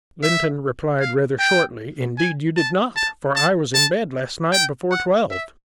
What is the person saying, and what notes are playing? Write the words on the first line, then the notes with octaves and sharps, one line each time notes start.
Lynton replied rather shortly, "Indeed you did not, for I was in bed last night before twelve."
E5
F5
G5
G#5
A5
A5
A5
A5
G5
F#5
E5